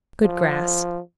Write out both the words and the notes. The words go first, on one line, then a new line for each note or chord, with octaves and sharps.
Good grass.
F3